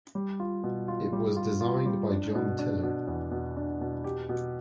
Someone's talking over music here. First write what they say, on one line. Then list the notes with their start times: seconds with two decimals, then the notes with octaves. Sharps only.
It was designed by John Tiller.
0.15 G3
0.40 F4
0.63 B2
0.88 F4
1.13 G3
1.36 F4
1.61 F4
1.86 G3
2.10 D4
2.35 B2
2.59 D4
2.83 B2
3.08 E2
3.31 B2
3.57 D4
3.81 B2
4.04 G4
4.29 B2